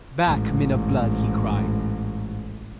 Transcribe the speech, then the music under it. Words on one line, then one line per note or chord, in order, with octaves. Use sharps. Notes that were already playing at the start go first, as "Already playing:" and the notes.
"Back, men of blood!" he cried.
A1 G#2